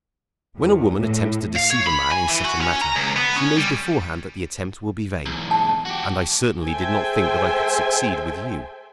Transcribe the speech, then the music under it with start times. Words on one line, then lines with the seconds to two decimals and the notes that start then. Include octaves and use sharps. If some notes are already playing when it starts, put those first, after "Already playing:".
When a woman attempts to deceive a man in such a matter she knows beforehand that the attempt will be vain; and I certainly did not think that I could succeed with you.
0.58 E2
0.99 A2
1.56 F5
1.71 C#5
1.87 B5
2.12 G#5
2.28 E3
2.45 F#4
2.61 C#4
2.82 A#5
2.96 C#2
3.17 B3
3.36 C#4
3.57 G3
5.26 B1 E2
5.51 A5
5.85 F#4 G4
6.66 G#4 A4 C5 E5 G5 G#5